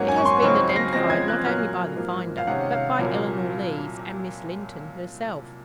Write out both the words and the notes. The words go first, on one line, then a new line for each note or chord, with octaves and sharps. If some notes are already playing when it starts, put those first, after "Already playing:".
It has been identified not only by the finder, but by Eleanor Lees and Miss Linton herself.
Already playing: G#2 F#3 A#3 C#4 F#5
G#5
C#6
C6
C#2 C#3 F#3 C4 D#4 C#6
C7
A#6
C#3 F3 G#3 C4 A#6
G#6
F#6
A#2 F#3 A#3 F6
G#2 F3 A#3
F5
C3 D#3 G#3 C#4 F#5
F5
C2 A#2 F#3 A#3